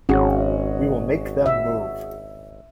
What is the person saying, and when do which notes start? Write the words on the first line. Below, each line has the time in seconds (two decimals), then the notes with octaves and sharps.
We will make them move.
0.09 G#1 C#4 F#4 G#4
1.46 E5